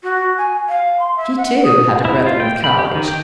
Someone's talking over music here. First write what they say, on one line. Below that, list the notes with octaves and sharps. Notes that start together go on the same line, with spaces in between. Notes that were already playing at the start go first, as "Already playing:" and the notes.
She, too, had a brother in College.
F#4
G#5
F5
C6
E5
F#5
D#6
E4
F4
G5
B5
G4
D#3
G5